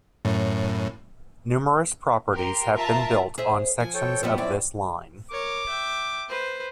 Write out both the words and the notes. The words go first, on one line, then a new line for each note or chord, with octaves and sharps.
Numerous properties have been built on sections of this line.
F#2 A2
G4 A#4 C6
F4 A#4 E5 A5 A#5
G#4 C5 E5
F3 G#5
A4 C#5 G5
F3 G3 B3
F#2 C4 E4 D5
A#4 C#5 D6
E5 G5
B4 C5